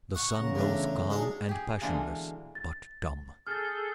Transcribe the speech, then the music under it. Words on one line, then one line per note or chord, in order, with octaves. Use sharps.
The sun rose calm and passionless, but dumb.
F#5 C#6
E2 C#3 A#5
D3 A3
F#3 G#3 D4 D#4 G#4
G4 G#4
B2 D3 E3 G#3 A#3
A6
G#4 A4 F6 G6 A6